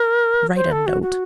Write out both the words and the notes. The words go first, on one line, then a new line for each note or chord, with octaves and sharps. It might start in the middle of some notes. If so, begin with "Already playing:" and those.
Write a note!
Already playing: A#4
C5
A4
F#4
F#4